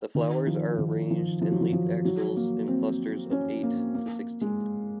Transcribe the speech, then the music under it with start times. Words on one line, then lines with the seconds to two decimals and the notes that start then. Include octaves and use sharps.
The flowers are arranged in leaf axils in clusters of eight to sixteen.
0.15 D#3
0.47 F3
0.78 D#3
1.10 F3
1.41 F3
1.51 F#3
1.61 F3
1.73 F3
2.05 F#3
2.36 A#3
2.68 C4
3.31 C#4
3.63 A#3
3.94 A#3
4.41 G#3